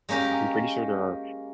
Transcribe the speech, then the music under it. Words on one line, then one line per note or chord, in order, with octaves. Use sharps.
I'm pretty sure there are
G#3 A#3 C#4 G4 A#4